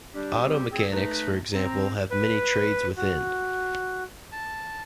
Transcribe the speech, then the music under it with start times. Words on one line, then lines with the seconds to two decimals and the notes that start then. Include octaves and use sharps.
Auto mechanics, for example, have many trades within.
0.14 G3 D4 G4
0.42 C4
0.71 C4 G#4
0.91 A3 D#4 B4
1.53 C4 A#5
2.11 B4
2.97 F#4
4.32 A5